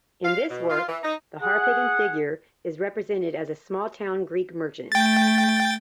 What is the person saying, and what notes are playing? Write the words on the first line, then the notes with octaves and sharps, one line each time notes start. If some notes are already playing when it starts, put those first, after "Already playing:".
In this work, the Harpagon figure is represented as a small town Greek merchant.
F5
B2
F4
E3
D#4
G#4 F#5
A3 G5 A6